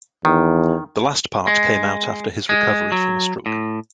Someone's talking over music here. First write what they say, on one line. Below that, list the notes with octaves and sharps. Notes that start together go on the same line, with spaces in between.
The last part came out after his recovery from a stroke.
E2 D#3
G#3
G#3
F#3
A2